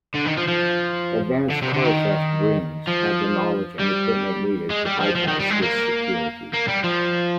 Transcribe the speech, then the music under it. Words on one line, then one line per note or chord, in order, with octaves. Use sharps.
Advanced car theft "rings" have the knowledge and equipment needed to bypass this security.
D3
D#3
F3
F3
D3
C3
D3
D#3
F3
G3
G#3
G3
F3
F3
D#3
G3
G#3
A#3
A#3
G3
F3